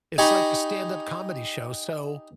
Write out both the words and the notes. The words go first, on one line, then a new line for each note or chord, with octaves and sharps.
It's like a stand-up comedy show, so,
D#4 G4 G#5 A#5 B5 C#6